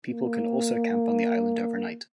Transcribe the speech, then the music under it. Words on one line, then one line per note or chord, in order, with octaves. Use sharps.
People can also camp on the island overnight.
A#3